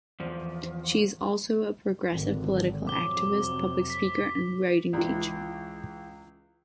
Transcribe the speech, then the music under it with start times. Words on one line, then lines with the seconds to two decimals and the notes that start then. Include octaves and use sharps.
She is also a progressive political activist, public speaker, and writing teacher.
0.20 E2 F3
2.10 G#1 D3
2.87 F2 C3 F#3 D6 G7
3.90 B6
4.93 C#2 E3